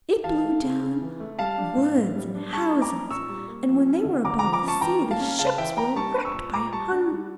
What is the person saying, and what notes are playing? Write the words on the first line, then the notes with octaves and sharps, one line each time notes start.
It blew down woods and houses, and when they were above the sea the ships were wrecked by hundreds.
E3 F5 A5
A3
C#3
C#3
E3
A3
G3 F5 A5
D4
A2
A2
G3
D4
G3 A5 C#6
A#3
A#5 D6
C#4
A#2 C#6 E6
G3
A#3
F3
C#4
D3
D3 A#5 D6
A#5 D6
F3
A#5 D6
C#4 A5 C#6
E3 G5 A#5
A#3
F5 A5
C#4
C#3 F5 A5
E3 E5 G5
A#3 G5 A#5
G3 A5 C#6
D4
C#6 E6
A#2
A#2 A#5 D6
G3 A5 C#6
D4
G3